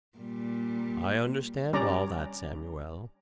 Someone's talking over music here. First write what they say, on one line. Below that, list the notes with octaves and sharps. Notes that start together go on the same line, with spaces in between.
"I understand all that Samuel."
A#2 G3
G3 C#4 D5 A#5